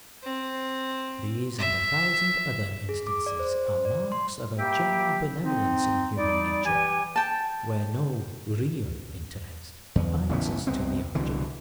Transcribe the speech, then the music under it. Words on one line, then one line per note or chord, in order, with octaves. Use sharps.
These and a thousand other instances are marks of a general benevolence in human nature, where no REAL interest binds us to the object.
C4
E5
G#4
D6
D5
C5
C5
D5
C6
G3 A#3 G4 E5 G5
C4 D#4
G3 D#4 D5
E3 G4 G#5
G5 A5
E2
A1 C#3 G3 B3
C2 B3 C4
C2 B2 D3 E3